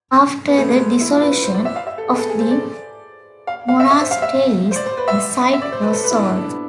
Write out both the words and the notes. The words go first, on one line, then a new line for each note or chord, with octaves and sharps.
After the Dissolution of the Monasteries the site was sold.
B3
A3
G#3
A3
C4
E4
F4
B4
B4
C5
D5
E5
F5
E5
A4
G#4
B4
A4
G#4
C5
D5
F5
F5
E5
E5
C5
F5
E5
C5
D5
C5
B4
E5
E5
D5
C5
B4
A4
B4
E4
D4
D4
D4
B3